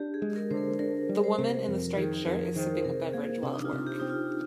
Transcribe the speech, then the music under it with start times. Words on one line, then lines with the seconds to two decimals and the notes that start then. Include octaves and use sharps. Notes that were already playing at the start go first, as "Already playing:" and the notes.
The woman in the striped shirt is sipping a beverage while at work.
Already playing: D4 G4
0.14 G#4
0.22 G#3
0.36 A#4
0.50 D3 C5
0.57 A#4
0.79 D4 A#4
1.09 G3
1.24 C5
1.38 C3
1.67 F2 A#4
1.97 D#3 G#4
2.22 A#4
2.25 F2 G#4
2.55 D#3 C5
2.85 C3 A#4
3.13 A#3 G#4
3.43 C3 D4
3.54 D#4
3.65 F4
3.73 C3
3.87 G4
4.00 C4 D#4
4.09 F4